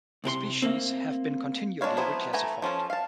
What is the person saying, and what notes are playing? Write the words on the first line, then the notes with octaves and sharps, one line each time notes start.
Species have been continually reclassified.
C2 C3 A#4 C6
A3 A#3 C4
G#3 D4 E4 C#5 F5
F3 F#3 B3 C4 E4
E3 A3 G#5 A#5
F3 C#4 F4 A4
F5 A5